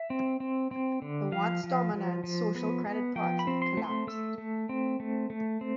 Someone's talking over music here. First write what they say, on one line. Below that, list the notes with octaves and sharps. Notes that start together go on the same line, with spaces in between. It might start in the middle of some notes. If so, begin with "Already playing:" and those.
The once-dominant Social Credit Party collapsed.
Already playing: E5
C4
C4
C4
D3
F3 F5
F3
F3
F3
B3
B3
F3 G5
B5
C4
C6
A3
C6
A3 E6
A3
C4
A3
A3
C4